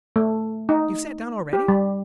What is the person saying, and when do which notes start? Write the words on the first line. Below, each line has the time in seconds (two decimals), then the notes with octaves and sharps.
You've sat down already?
0.16 A3
0.69 D#4
1.53 G4
1.68 G3